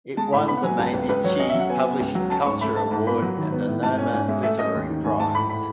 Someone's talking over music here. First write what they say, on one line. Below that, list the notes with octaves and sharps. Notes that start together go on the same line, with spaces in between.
It won the Mainichi Publishing Culture Award and the Noma Literary Prize.
G#3 A5
A2 B5
B3 B5
F#5
F#3 G#5
C#2 A5
C#2 B4
C#2 B4
F#3 C#5
C#4 D#5
E5
F#3
F#5
B3 G#5
B3
C#2
F#3
C#4 A5
G#2 C#6
A3 B5
A3 A5
G#2 A5
B3 B5
F#3
D#3
B3
A2
G#2 A5
C#4 G#5
G#2 G#5
G#3 E5
A3 E5
C#4 D#5
D#2
D#3
G#2 G#5
G#2 A5
A2 B5
A2 B5